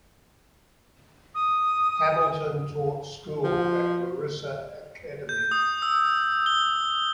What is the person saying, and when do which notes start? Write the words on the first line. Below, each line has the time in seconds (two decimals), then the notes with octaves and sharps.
Hamilton taught school at Marissa Academy.
1.34 D#6
3.44 F3
5.29 G6
5.51 D#6
5.82 E6
6.46 G7